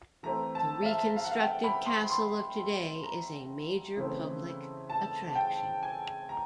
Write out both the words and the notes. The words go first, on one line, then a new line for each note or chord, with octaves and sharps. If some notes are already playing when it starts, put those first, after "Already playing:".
The reconstructed castle of today is a major public attraction.
E3 A3 C4 A#5
A5
E5
F5
F5
F#5
F5
G5
B5
C6
C6
A#5
C#3 E3 A3 C4
A5
G5
G#5
A#5